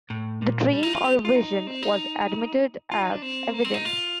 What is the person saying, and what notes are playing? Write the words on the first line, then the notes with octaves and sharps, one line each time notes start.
The dream or vision was admitted as evidence.
A2
A#2
G3
D#4
F4
G4
F4
D#4
C4
D#4
F4
D#4
D4
C4
A#3
C4
D#4
F4